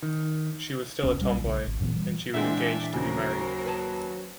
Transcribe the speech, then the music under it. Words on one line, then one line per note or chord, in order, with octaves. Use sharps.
She was still a tomboy; and she was engaged to be married.
D#3
F1 C#2 B2 C#4
B1 F#2 G3
B1 C#3
G#1
F#2 A#2 E3 B3
E3 G3
A#2 D3 E3 G#3 C4 D4 E5 G5
D#2 C#3 F#3 A#4 C5
B4 G#5 A5